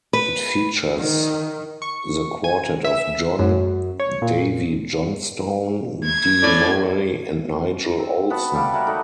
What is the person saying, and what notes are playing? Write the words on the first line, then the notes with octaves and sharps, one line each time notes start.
It features the quartet of John, Davey Johnstone, Dee Murray and Nigel Olsson.
B4
D#3
C#6
G#5
E5
F#2
C#5
A#2
G#6
A2 D5
C4
B3 F#4 B4 A5
G3 G4 A4 F5
A#4 C#5 E5 F#5
A3 D#4 D5 F#5